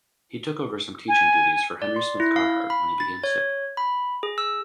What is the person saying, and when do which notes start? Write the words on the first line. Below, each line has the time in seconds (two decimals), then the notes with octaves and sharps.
He took over some teaching duties for Henry Smith Carhart when he became sick.
1.09 G#5
1.82 D5
1.96 C6
2.20 E4
2.36 F5
2.70 B5
3.00 A6
3.24 C#5
3.77 B5
4.23 G#4
4.38 E6